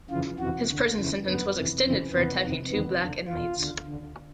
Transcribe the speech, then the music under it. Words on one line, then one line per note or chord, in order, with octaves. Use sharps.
His prison sentence was extended for attacking two black inmates.
F2 C#3 E3 F4
F2 C3 E3 F#4
D2 D3
F2 C#3 E3
F#2 D3 B3
F2 C3 E3
F2 C#3 E3 C4
E2 C3 E3 B3
F2 C3 D#3
E2 C3 D#3 B3
F2 D3
E2 B2 F4
D2 D3
D2 D3